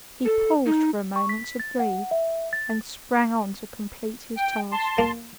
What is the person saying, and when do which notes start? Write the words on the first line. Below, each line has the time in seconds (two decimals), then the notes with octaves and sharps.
He paused for a moment to breathe, and sprang on to complete his task.
0.25 A4
0.66 D#4
1.16 C#6
1.29 B6
1.60 A6
1.79 F#5
2.11 E5
2.53 A6
4.37 G5
4.72 A5 C6
4.98 A#3